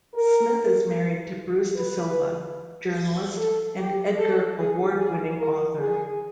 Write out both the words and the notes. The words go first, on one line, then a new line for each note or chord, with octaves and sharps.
Smith is married to Bruce DeSilva, journalist and Edgar Award-winning author.
A#4
B4
A4
G4
A4
G#4
G#4
A#4
G#4